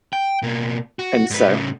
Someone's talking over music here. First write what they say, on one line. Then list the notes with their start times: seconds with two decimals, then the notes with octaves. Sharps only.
And so
0.13 G5
0.42 B2 A#3
0.99 F#4
1.31 G#2 B4
1.48 A2 C#3